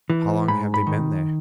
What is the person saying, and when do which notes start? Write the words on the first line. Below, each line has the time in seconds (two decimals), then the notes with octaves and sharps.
"How long have they been there?"
0.10 E3
0.48 G#2 B5
0.74 B5
0.87 D#3